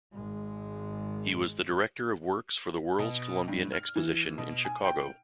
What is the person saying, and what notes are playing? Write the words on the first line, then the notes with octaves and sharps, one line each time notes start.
He was the Director of Works for the World's Columbian Exposition in Chicago.
G#1 G#3
B2
G2
F6
E3
B2
G#5
G5